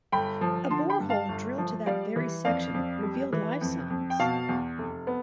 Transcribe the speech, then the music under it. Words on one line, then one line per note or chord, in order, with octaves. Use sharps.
A bore hole drilled to that very section revealed life signs.
G1 G5 B5
F3
D3 A5 C6
G5 B5
G2
F5 A5
G1
F3
G3 D5 F5
E3
F2 D5 F5
F2
G3
E3
F2
F2
G5
B2 F5 A5
E2
F1
B3